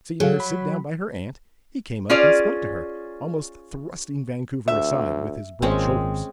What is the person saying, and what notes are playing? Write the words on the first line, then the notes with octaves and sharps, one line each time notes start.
Seeing her sit down by her aunt, he came up and spoke to her, almost thrusting Vancouver aside with his broad shoulders.
F#3 G#4 A4 F5
B5
C#4 F4 G#4 D5
D2 E5
G#1 A#2 G#3 C4 C#4